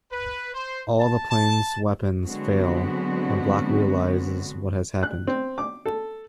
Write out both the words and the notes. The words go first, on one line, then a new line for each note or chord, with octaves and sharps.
All the planes' weapons fail and Block realizes what has happened.
B4
C5
A5
A5
D3 F#3 G#3 B3 C4 F#4
F#6
C4
D6
A4